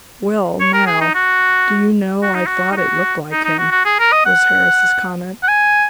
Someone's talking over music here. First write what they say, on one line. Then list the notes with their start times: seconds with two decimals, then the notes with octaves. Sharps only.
"Well, now, do you know I thought it looked like him," was Harris' comment.
0.60 C#5
0.73 A#4
0.87 G#4
1.01 D#4
1.14 F#4
2.22 F#4
2.34 D#4
2.46 F#4
2.71 D#4
2.77 F#4
3.31 D#4
3.45 D#4
3.58 F#4
3.71 F#4
3.85 G#4
3.99 A#4
4.12 D#5
4.26 F#5
5.43 F#5
5.48 G#5